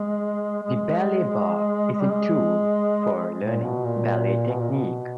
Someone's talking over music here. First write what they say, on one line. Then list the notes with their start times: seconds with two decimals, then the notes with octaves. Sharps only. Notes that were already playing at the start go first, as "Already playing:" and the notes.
The ballet barre is a tool for learning ballet technique.
Already playing: G#3
0.63 G#3
1.92 G#3
2.01 G3
2.10 G#3
3.42 A#2
3.64 B2
3.86 A#2
4.50 B2
4.61 A#2
4.71 B2